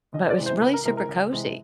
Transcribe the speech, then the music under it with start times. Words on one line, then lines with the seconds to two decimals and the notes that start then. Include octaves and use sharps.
but, it was really super cozy
0.14 C#2 D#5
0.30 D5
0.38 C3 E3 G#3
0.46 C5
0.61 C#2 B4
0.74 A#4
0.85 C3 E3 G#3 A#4
0.97 A#4
1.09 C#2
1.32 C3 E3 G#3